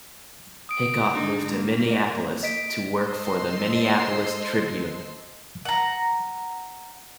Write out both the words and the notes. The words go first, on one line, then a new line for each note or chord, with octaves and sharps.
Hickok moved to Minneapolis to work for the "Minneapolis Tribune".
D#6 D7
D3 D#4
A#3
D5
D#5 B6 D7
A4 C5 D#5 C6 E6 C7
F#5 A#5